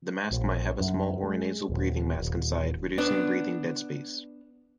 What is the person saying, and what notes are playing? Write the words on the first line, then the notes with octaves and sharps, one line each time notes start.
The mask might have a small orinasal breathing mask inside, reducing breathing deadspace.
A#1
F#2
G#3
D#1
D#1
B3 D4